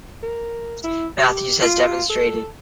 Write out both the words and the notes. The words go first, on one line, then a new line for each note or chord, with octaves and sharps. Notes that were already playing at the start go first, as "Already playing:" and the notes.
Matthews has demonstrated.
A#4
E4
G4
F4
A4